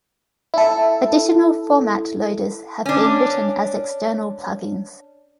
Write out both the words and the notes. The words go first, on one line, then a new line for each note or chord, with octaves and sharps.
Additional format loaders have been written as external plugins.
E4 A4
C#4 D4